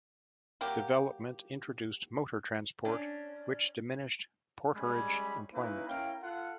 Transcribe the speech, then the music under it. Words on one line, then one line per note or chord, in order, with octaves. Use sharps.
Development introduced motor transport, which diminished porterage employment.
F#3 A#3 G4
C#4 D4
G3 G#3 C#4 G#5 B5
A#3 C#4 D#4 E4 B4
C#4 E4 A#4 F5 G5
F4 A4 F#5